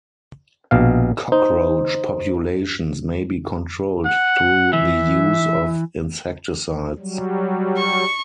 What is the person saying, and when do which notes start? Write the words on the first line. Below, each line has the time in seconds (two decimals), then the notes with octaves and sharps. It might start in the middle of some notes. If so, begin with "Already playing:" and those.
Cockroach populations may be controlled through the use of insecticides.
0.71 A#1 B2 F5
1.32 D#4 C5
4.06 F#5
4.73 E3 E5
6.99 F#3 G3
7.78 C#6